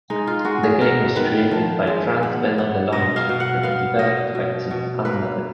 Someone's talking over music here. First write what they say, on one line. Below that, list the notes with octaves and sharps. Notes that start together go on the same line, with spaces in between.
The game was created by Franz-Benno Delonge and developed by Team Annaberg.
G#3 D#4
F4
G#3 F#4
G#4
B3 A#4
D#3 B4
F3
G#3
B3
B3
B2 D#5
F5
B2
F#5
B3 F5
B2 D#5
B2
B2
A#3 B4